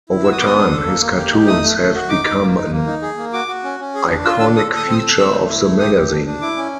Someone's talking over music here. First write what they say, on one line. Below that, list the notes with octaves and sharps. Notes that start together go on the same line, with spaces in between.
Over time, his cartoons have become an iconic feature of the magazine.
E4
F#4 E6
D#6
B3 D6
D#6
D4
A4
A#3
A#3
G4
D#4
A3 D#6
A3
A3
F#4
D#4 D6
D#4
A#3
D#4
A#3
D#4
G#4
A#3
F#4 D6
F#4
C#4
C#4
G#4
D4
F4 E6
D4 E6
A4 D#6
A4 D#6
C4 D#6
E6
A4
C4 E6
A3
E4
A3
G4 D#6
G4
D4
D4
E4 D6
C#4